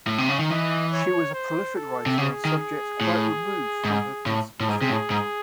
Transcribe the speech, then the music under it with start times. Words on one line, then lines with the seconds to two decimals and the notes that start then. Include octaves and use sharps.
She was a prolific writer on subjects quite removed from her principal field.
0.07 A2
0.18 C3
0.29 C#3
0.39 D#3
0.49 E3 D#5
0.92 C#5
1.34 C5
1.76 A4
2.06 C3
2.17 C#3 G#4
2.45 D#3
3.01 A2
3.85 G#2
4.26 A2
4.60 A2
4.68 G#2 G#4
4.81 C3
4.89 A2
5.10 G#2